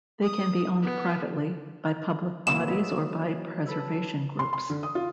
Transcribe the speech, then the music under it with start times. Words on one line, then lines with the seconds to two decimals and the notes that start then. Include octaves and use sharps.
They can be owned privately, by public bodies or by preservation groups.
0.23 D#6
0.82 B3
2.47 A#2 E3 F#3 E7
2.68 B4 D#5 E5
3.66 A4 B4 E6
4.39 C6
4.53 C6
4.70 D3
4.83 D#6
4.95 F4